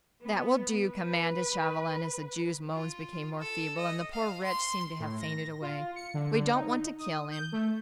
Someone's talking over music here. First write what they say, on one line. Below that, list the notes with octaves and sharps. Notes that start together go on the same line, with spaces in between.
"That will do," commanded Chauvelin, as the Jew's moans became more feeble, and the poor wretch seemed to have fainted away, "we don't want to kill him."
B3
B4
F4
A4
D#5
F5
C6
A2
A#6
F4
C#7
D3
D3
D#4
D#6
G6
A3